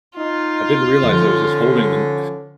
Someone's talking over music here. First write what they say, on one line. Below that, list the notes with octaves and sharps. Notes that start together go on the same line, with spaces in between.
I didn't realize I was just holding the kn
D#4 F4
D3 F3 C#4 D#4